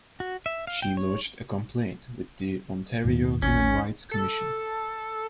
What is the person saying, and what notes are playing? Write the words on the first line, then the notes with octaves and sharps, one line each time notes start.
She lodged a complaint with the Ontario Human Rights Commission.
F#4
E5
F5
G5
C#5
D#2 A2
A1 C#4
A4